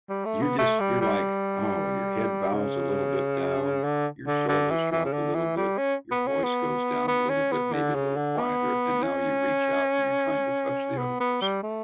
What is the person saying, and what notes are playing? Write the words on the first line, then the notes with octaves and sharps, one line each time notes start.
You're just you're like, "Oh" your head bows a little bit down, your shoulders drop a little bit, your voice goes down a little bit, maybe a little quieter, and now you reach out and you're trying to touch the other person.
G3
A3
B3
A3
G3
G3
C#3
D3
D3
D3
E3
E3
C#3
D3
E3
G3
C#4
B3
C#4
B3
B3
C#4
B3
D3
C#3
D3
B3
C#4
B3
B3
G3
A3